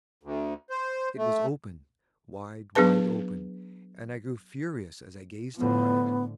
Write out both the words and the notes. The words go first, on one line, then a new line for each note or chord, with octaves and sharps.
It was open--wide, wide open--and I grew furious as I gazed upon it.
D2
C5
A3
F#3 B3 D4 G#4 B4 A5
A2 D3 F3 B3